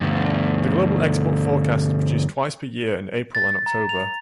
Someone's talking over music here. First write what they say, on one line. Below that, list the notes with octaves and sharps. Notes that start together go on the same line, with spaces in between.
The Global Export Forecast is produced twice per year in April and October.
D2 G2
A6
A#5
F7